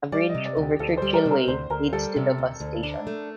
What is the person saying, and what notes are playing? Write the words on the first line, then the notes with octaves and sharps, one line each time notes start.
A bridge over Churchill Way leads to the bus station.
G3 D5
D#5
C3
D5
D2
G4
D2 A4
G3 C5
A#4
C3
A#4
D2 C5
D2 A#4
G3 A4
C3
D2
D2
D4
A3